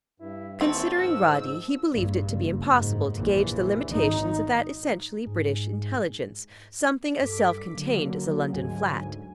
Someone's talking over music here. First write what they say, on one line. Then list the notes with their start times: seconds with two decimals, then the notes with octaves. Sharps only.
Considering Roddy, he believed it to be impossible to gauge the limitations of that essentially British intelligence--something as self-contained as a London flat.
0.20 G2 E4
0.61 D#2 E3 C4 A5 C#6
0.97 G#2 F3 E6
1.93 A#1 G2
2.26 F#1
2.76 G#2
3.16 A#1 E3
3.90 G#1 D#4
5.27 G#2
7.20 G2 A4 D6 B6
7.74 D3 F#3 A#3
8.53 D2 G#2 G#5